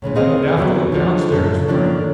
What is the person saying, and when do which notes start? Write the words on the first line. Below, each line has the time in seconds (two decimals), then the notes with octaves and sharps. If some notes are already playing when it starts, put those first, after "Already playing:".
Then he'd have to look downstairs for him.
0.02 A2 C#3 E3 G#3
0.15 D2 D#3 C4 G#4 D#5 F5
0.57 E2 D#3 F#3 G3 B3
0.92 D3 F3 G#3
1.32 F#2 C#3 A4
1.68 D3 D#3 F3 A#3 C#4 D4